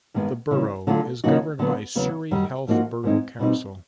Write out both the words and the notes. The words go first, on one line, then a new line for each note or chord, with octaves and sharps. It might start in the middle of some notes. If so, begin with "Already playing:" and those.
The Borough is governed by Surrey Heath Borough Council.
G2 D#3 G#3 B3
C#3 E3 G3
D3 F#3 A3 D4 F4
C#3 F3 A#3 D#4 F#4
D3 F#3 B3
E2 C#3 F#3 B3
F#2 D#3 G3
G#2 F3 A#3 D#4 F#4
G#2 D#3 G#3 C4 D#4
B2 G3 C4 D#4 F#4